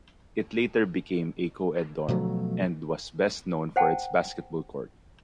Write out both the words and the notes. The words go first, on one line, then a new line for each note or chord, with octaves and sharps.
It later became a co-ed dorm and was best known for its basketball court.
B2 F3 F#3 A3
C5 F#5 G5 A5